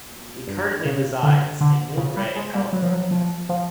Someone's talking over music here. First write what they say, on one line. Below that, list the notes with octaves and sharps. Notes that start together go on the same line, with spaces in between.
He currently resides in Millbrae, California.
G2
C#3
D3
D3
C#3
G3
G#3
G3
F#3
F3
F#3
F3
F3